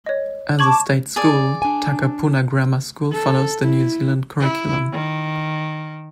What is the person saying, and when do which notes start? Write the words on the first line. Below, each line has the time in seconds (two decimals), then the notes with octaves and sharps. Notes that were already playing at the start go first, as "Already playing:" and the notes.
As a state school, Takapuna Grammar School follows The New Zealand Curriculum.
0.06 C#5 D#5
0.59 A5 C#6 D6 G#6 F#7
1.16 G#4 D5
1.62 D4 G#5
3.12 A4
3.62 E4
4.40 E4
4.93 D#3